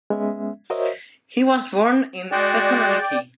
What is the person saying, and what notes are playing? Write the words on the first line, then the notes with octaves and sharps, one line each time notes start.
He was born in Thessaloniki.
G#3 B3 C#4 E5
F#4 A#4 C5 C#5 D#5 E5
G#3 F#4 D5 G5